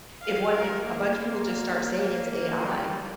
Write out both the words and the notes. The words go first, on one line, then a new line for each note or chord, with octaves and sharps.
if what if a bunch of people just start saying it's AI,
F5
A#4
A#3
A#3
A#3
A#3
G3